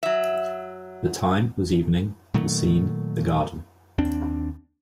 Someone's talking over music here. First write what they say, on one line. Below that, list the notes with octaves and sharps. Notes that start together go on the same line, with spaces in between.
The time was evening; the scene the garden.
F#3 E5
A#2 D#3 F#3 A3
D#2 C4 D4